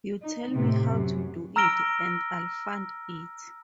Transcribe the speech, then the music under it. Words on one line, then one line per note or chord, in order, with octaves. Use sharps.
You tell me how to do it, and I'll fund it.
D#4
A2 C3
F#2
A#5 E6 F6 A#6 D7 G7